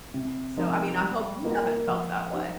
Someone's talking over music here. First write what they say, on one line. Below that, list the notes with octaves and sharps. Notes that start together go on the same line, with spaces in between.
So, I mean, I hope you haven't felt that way.
C3
F3 D#4 A#4 D#5
G3
A#3 F4 D#5
F3
D#4 G4 C5 D#5